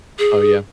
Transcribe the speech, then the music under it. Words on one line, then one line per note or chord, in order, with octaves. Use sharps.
Oh, yeah.
G#4